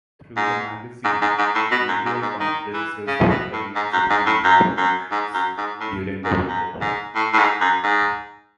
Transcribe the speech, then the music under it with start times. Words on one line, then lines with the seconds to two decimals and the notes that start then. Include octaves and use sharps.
Through the magazine, medial conferences were arranged in warm countries, during the winter.
0.37 G#2
1.05 G#2
1.22 G#2
1.38 G#2
1.55 A2
1.71 B2
1.88 F#2
2.06 G#2
2.22 G#2
2.40 D#3
2.73 E3
3.07 C#3
3.30 B2
3.53 A2
3.75 G#2
3.93 F#2
4.10 G#2
4.26 A2
4.44 F#2
4.77 F#2
5.12 G#2
5.34 F#2
5.58 G#2
5.80 A2
6.24 G#2
6.48 F#2
6.81 G#2
7.15 A2
7.33 A2
7.38 G#2
7.61 F#2
7.83 G#2